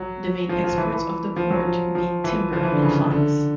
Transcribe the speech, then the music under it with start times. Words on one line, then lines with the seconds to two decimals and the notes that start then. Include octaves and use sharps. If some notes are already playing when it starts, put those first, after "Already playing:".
The main exports of the port being timber and flax.
Already playing: F#3
0.49 F3
0.64 F3
0.78 E3
0.93 E3
1.36 F3
1.50 F#3
1.65 F3
1.95 F3
2.24 E3
2.53 F3
2.63 E3
2.72 D3
2.82 C#3
2.96 C#3
3.11 D3